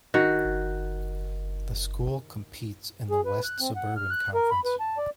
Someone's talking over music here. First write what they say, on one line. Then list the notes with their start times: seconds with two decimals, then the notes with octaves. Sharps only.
The school competes in the West Suburban Conference.
0.14 D#3 F#4
3.10 G#4
3.25 B4
3.44 F#6
3.60 C4
3.76 F#5
3.97 F6
4.11 F#6
4.34 A#4
4.51 B5
4.65 B4
4.80 A5
4.98 D5